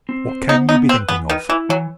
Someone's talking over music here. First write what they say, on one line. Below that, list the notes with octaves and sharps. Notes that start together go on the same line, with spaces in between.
What can you be thinking of?
C4
C5
B3 D#4
B3 D#4
C4 B4
E3 B3
D#3 B4
E3 E4
E3 F#3